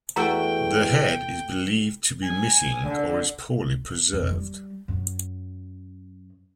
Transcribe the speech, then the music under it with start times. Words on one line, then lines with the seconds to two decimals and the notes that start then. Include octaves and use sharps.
The head is believed to be missing or is poorly preserved.
0.16 E2 A3 F#4 G5 A#5 E6
2.24 G#5
2.87 D3
4.13 F2
4.30 G3
4.88 F#2